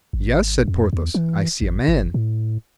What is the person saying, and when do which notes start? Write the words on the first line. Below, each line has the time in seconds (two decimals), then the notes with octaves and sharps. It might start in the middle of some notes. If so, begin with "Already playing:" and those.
"Yes," said Porthos; "I see a man."
0.13 G#1
0.68 F2
0.93 E2
1.14 E3
1.61 G#1
1.88 G1
2.14 A2